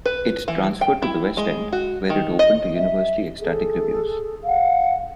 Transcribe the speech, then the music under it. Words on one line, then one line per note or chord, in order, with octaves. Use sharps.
It transferred to the West End, where it opened to universally ecstatic reviews.
B4
E3
G5
E4
G#3
F#4
D#3
D#5
E5
G#4 A4
F5 F#5